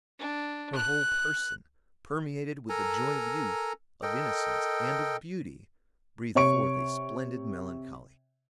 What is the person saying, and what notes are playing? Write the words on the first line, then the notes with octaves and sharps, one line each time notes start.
Her whole person, permeated with the joy of youth, of innocence, and of beauty, breathed forth a splendid melancholy.
D4
F#6
A4 A#4 G#5 A#5
A4 A#4 D#5 G5
C3 C#5 C#6 D7